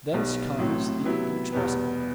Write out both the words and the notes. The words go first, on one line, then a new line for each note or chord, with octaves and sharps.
Thence comes the inexpressible.
B1 B2 G3
A1 A2 F#3 C4
C3 F#3 B3 E4
E2 B2 G3 B3